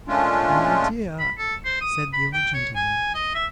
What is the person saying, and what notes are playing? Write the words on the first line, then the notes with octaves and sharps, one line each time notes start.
'My dear,' said the old gentleman.
A#2 G#3 A3 C#4 D4 F4
B5
A4
C5
D#6
B5
G5
C#5
G#5
D#5
E5